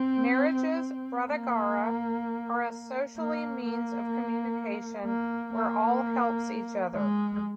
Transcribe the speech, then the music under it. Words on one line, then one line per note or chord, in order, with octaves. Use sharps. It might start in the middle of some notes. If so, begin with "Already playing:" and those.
Marriages, Brataghara are a socially means of communication where all helps each other.
Already playing: C4
A#3
A#3
A#3
A#3
A#3
G#3